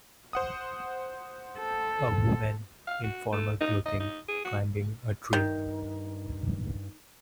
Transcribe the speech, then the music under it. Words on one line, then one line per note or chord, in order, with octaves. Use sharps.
A woman in formal clothing climbing a tree.
C5 F#5 D#6
A4
F5
F#4
A3
D#4
D#5
D#4
G#4
F#4
G2 D#3